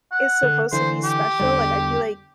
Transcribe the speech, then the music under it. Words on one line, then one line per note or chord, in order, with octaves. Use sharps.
it's supposed to be special, like, I feel like
F#5
D3
D3 E3 C5
G4
E2 D3 G3